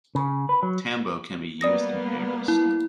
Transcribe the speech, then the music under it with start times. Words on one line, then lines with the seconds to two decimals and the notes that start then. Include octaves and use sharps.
Tambo can be used in pairs.
0.15 C#3
0.49 B4
0.63 F#3
1.61 G3 A#3 B3 D5 D#6 A#6
2.48 E4